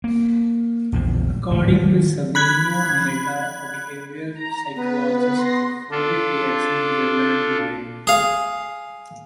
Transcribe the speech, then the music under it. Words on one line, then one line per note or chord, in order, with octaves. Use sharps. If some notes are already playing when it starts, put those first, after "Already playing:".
According to Sabino Metta, a behavioral psychologist, the phobic reaction is a learned behavior.
A#3
A#1 E2 F3
D1 G#1 C3 A3
D#3 F#3
B5 F#6 G#6
A#5
B3 B4
C6 A#6
D4 F4 A4
G#4 F5